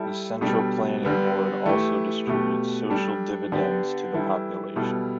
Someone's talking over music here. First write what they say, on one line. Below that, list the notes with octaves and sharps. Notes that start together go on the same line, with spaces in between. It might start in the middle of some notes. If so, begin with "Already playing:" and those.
The central planning board also distributes social dividends to the population.
Already playing: G3 E4 A4
B2 G3 D4 A4
D3 G3 B3
E3 A3 E4 G4
B2 A3 G4
G3 D4 A4
D3 B3 D4 G4
E3 G3 E4 A4
B2 G3 E4 A4